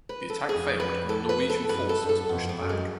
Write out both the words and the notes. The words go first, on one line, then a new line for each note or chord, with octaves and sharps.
The attack failed and the Norwegian force was pushed back.
B4
A4
F2 G#4
B4
A4
B4
A4
F#2 B4
A4
F#2
A4
F2 B3
A3
F#2
G#3